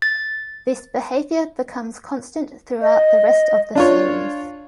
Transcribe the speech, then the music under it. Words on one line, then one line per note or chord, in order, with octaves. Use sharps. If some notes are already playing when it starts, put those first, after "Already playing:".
This behavior becomes constant throughout the rest of the series.
A6
D#5
D4 F4 C#5